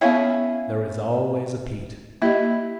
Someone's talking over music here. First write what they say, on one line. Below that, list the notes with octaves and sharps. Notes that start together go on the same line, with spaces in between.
There is always a Pete.
B3 C#4 E4 G#4 F5 G5
A#3 E4 G4 D#5